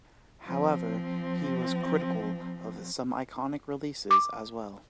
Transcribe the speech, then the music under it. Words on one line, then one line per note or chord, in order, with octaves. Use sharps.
However he was critical of some iconic releases as well.
F3 C4
D6